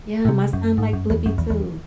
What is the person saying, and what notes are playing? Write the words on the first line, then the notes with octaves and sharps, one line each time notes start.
Yeah, my son like Blippi too.
A2
C3
F#2
G#2
F#2
E2
F#2
E2
E2